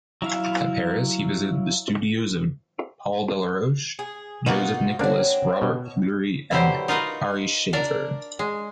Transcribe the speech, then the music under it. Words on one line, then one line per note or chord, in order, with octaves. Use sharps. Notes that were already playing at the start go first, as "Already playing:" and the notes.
At Paris, he visited the studios of Paul Delaroche, Joseph-Nicolas Robert-Fleury and Ary Scheffer.
F#3 E4 E5 F5
G#4
B2 A#3 D#4 F4 F#4
F#3 A#3 C4 D4
B2
B2 D3 F#3 E4 G4 C5
D#4 F4 F#4 A#4 B4 D#5
D4 A#4 D5
G#3